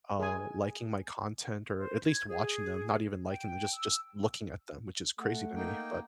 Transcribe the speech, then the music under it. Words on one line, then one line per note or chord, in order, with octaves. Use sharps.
uh, liking my content or at least watching them, not even liking them, just just looking at them, which is crazy to me. But
G#4 G#5
C5
G#6
G#4
G5
E6
A3 F#5
A#3 D#4 G5